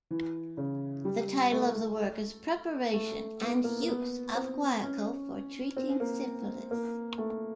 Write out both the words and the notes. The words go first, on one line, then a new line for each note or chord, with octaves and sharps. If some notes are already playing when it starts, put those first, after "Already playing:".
The title of the work is Preparation and Use of Guayaco for Treating Syphilis.
E3
C#3
G3
A3
A3
B3
A#3
A#3
B3
C4
C#4
C4
A#3
A#3
A3